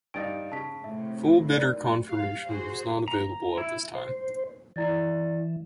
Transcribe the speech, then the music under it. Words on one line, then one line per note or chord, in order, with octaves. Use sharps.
Full bidder confirmation was not available at this time.
G2 G3 D#4 F5 A6 D7
C#3 A5 B6
A2 C3 E5
A#4 D5
G4 F5
F#4 G#4 C5
A#5
E4
C5
E3 E4 D5 A6